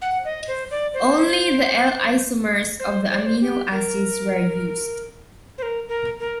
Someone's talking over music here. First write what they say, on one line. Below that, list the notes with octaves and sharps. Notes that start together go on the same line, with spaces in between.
Only the L-isomers of the amino acids were used.
F#5
D#5
C5
D5
C5
C5
C5
D5
C5
G4
A#4
C5
A#4
A#4
A#4